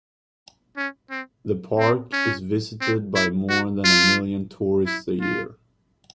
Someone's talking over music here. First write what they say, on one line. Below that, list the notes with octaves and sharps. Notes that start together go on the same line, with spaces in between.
The Park is visited by more than a million tourists a year.
C#4
C4
C4
C#4
C4
E4
F#4
F4
E4
F4